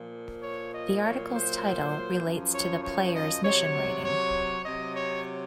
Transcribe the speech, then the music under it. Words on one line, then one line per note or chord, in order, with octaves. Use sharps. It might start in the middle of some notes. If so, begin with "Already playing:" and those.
The article's title relates to the player's mission rating.
Already playing: A#2 F3
C#5
D#5
A#2 F#3 C#5
C5
F#2 F3
C#5
C#5
D#5
C3 F#3 C#5
C#5
C3 F#3 D#5
C#5